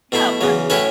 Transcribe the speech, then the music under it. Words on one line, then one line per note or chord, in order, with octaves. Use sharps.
Yeah, it was.
B2 A3 E4
E2 C#3 F#3
A2 F#3 C#4 E4 B4